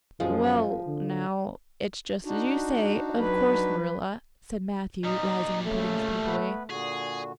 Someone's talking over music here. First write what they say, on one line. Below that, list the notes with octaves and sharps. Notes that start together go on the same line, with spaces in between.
"Well now, it's just as you say, of course, Marilla," said Matthew rising and putting his pipe away.
F#2 F3 G#3
D3
D4 D#4 F#4
F#3 B4
A#2 G3 D#4 D#5
C#3 A3
B3 B4
A#2 D3 F#4 G#4